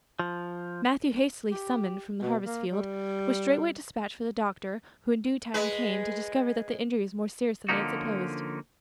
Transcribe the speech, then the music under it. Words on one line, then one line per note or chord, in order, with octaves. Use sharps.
Matthew, hastily summoned from the harvest field, was straightway dispatched for the doctor, who in due time came, to discover that the injury was more serious than they had supposed.
F3
G4
B2
A#3
G3
G#3 B4
D3 F3 A#3 C#4 D#4 F#4